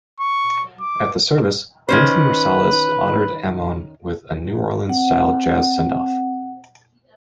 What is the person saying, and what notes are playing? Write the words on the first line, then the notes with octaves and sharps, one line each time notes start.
At the service, Wynton Marsalis honored Ammon with a New-Orleans-style jazz send-off.
C#6
D6
D#3 C#4 B4 C5
C4 F#5